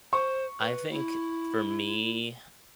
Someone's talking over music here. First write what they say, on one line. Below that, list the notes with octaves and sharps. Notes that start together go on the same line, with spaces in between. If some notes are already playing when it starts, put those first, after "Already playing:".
I think, for me
C5 C#6
B4
E4